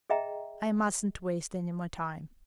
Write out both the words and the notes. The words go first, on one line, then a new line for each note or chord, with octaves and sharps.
I mustn't waste any more time.
G#4 D#5 E5 G5 A#5